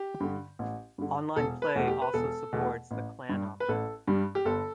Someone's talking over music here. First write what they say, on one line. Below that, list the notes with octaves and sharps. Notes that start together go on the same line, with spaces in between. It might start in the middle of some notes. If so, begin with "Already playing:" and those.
Online play also supports the clan option.
Already playing: G4
G2 D3
A1
G2 D3
E1 A4
B4
E2 B2 A3
G4
B4
E1 A4
E2 B2 A3
A1
G2 G3
B4
A1 A4
G2 G3
G4
G1 A4